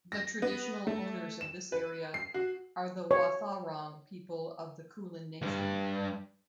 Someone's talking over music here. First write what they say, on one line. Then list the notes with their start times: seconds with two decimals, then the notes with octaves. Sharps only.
The traditional owners of this area are the Wautharong people of the Kulin nation.
0.12 A#6
0.42 B3
0.87 A3
1.41 E7
1.72 B4
2.14 C7
2.34 F#4
3.11 C#5
5.42 D2 G2